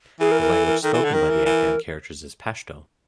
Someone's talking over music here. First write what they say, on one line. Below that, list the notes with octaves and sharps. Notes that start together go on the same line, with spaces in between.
The language spoken by the Afghan characters is Pashto.
E3 G#4
A#4
A#4
A4
A#4
D#3 A4
E3
A4
D3
D#3 A#4
E3
E3